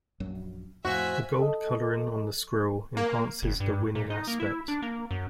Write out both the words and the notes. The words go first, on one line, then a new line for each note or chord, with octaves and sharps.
The gold colouring on the squirrel enhances the winning aspect.
A#1 F#2 F#3
F2 A2 F#4 C5 E5 F5 G#5
A4 D#5
A#3
F#1
G2
A#2
D#4
A#3
E4
D4
A#3
F#2